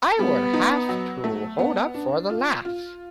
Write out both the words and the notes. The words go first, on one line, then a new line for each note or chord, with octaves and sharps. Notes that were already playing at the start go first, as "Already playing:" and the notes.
I would have to hold up for the laugh.
G3 B3
D#4
F#3
A3
B3
D4
F4
F4